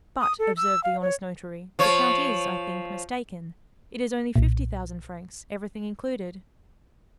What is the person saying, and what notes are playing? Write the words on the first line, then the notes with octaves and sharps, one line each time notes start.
"But," observed the honest notary, "the count is, I think, mistaken; it is only fifty thousand francs, everything included."
D#6
A4
E6
F5
C#5
F3 C#5
B1 A#2